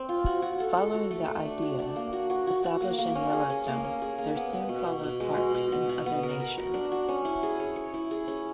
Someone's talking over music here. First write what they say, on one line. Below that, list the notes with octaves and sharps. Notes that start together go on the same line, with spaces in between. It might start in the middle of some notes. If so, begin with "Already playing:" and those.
Following the idea established in Yellowstone, there soon followed parks in other nations.
Already playing: C4
F4
F#4
F#4
A4
A4
F#4
A3
A3
D4
F#4
D4
A#3
F#4
F#4
F#4
F#4
A#3
A#3
C#4
G#4
C#4
A#3
C#4
G#4
A#3
B3
B3
B2
B2
B2
G#3
B2
B2
B3
F#4
B3
A#4
A#4
F#4
D4
F#4
C#4
E4
G#4
C#5
C#5
E4
G#4
C#4